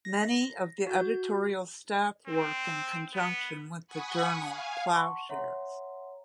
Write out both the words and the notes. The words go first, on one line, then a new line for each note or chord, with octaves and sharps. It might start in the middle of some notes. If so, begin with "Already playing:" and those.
Many of the editorial staff work in conjunction with the journal "Ploughshares".
A#6
F#4 G6
C4
B3
F#5 G#5 B5 C#6 D#6
F5 G#5
F#5 A5 C6 C#6
C#5 E5 F#5 A#5 C6